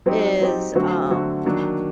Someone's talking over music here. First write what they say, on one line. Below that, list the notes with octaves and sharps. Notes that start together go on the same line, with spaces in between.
is, um
F#3 C4 D#4 G4
F#3 C4 D#4 G4
D3 F#3 A3 C4 F#4
D3 F#3 A3 C4 F#4
D#3 F#3 A#3 D4